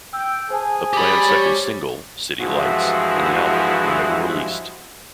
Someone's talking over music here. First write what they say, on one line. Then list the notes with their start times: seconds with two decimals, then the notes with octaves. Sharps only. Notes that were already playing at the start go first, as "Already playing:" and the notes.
A planned second single, "City Lights", and the album were never released.
0.13 G5 E6
0.50 G#4 C5 G#5 A5
0.93 G4 B5
1.27 C#5
2.41 G2 E3 F3 G#3 E4 F#4